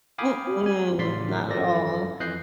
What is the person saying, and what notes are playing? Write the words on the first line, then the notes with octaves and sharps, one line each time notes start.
Mm-mm, not at all.
F5 G5 G#5 B5 D6 D#6
G4 G#5
A1 A2 C#3 D5 C6 B6
G#1 F#2 F3 A4 D5 A#6
F2 E3 D#5 F#6 G6 C7